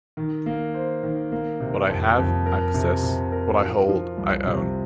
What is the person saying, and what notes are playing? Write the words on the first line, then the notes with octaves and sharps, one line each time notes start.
What I have, I possess; what I hold, I own.
D#3
A#3
C5
D#3
A#3
C3
F2
F2
A#4
C3
C3
A#4
F3
F3
C2
C3